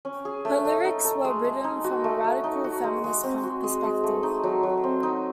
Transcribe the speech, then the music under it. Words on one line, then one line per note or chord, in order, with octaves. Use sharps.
Her lyrics were written from a radical feminist punk perspective.
C#4
G#4
A3
A3
D#4
A4
G#3
G#3
D#4
F#4
A3
A3
D#4
F#4
G#3
G#3
C4
F#4
G#3
G#3
A3
D#4
F#3
F#3
C4
D#4